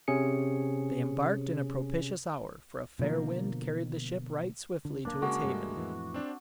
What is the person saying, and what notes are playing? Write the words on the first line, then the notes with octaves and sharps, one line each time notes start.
They embarked in a propitious hour, for a fair wind carried the ship right swiftly to its haven.
C3 C#4 G#4 C#7
B2 D3 F3 A#3
D3
D1 A#3 D4
C#3 G#3 A#3 F#4
G2 G3 A3
F2 A2 E3
C4 D4